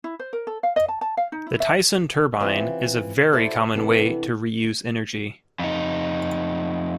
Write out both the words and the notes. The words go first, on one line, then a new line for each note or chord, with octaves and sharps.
The Tyson Turbine is a very common way to reuse energy.
E4
C5
A#4
A4
F5
D#5
A5
A5
F5
D#4
E4
E5
E3 C4 C#4 F4 G4
E4 F#4 G4 A4 C5 D5
C3 E3 B3 D4 A4
F2 D#4